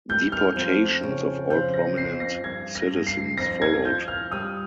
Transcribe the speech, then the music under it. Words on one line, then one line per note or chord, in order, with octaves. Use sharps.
Deportations of all prominent citizens followed.
G3 G6
F6
F2
C#3
F3 G6
A#6
F2 C7
A#6
G2 G#6
A#6
G2
C7
F2 A#6
G#6
F4 G6
F6
G3 D#6